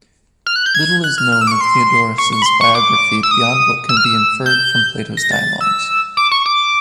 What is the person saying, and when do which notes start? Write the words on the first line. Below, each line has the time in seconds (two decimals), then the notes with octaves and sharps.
Little is known of Theodorus' biography beyond what can be inferred from Plato's dialogues.
0.46 F6
0.56 F#6
0.66 G6
0.75 G#6
1.04 F#6
1.18 F6
1.32 F6
1.41 E6
1.47 D6
1.51 C#6
1.61 C6
2.18 C#6
2.32 C#6
2.42 B5
2.46 C6
2.61 C#6
2.75 D6
3.23 E6
3.31 D#6
3.89 E6
3.97 F6
4.05 E6
4.46 G6
5.17 A#6
5.32 A6
5.61 E6
6.17 D6
6.31 C#6
6.46 D6